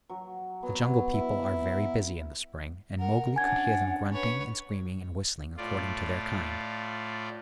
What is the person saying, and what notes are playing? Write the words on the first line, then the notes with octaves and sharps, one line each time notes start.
The Jungle People are very busy in the spring, and Mowgli could hear them grunting and screaming and whistling according to their kind.
F#3
F#3 B3
E4
A#4 F#5
C#4 D4 F#5 G#5 G#6
B4 C#5
A2 F4 D5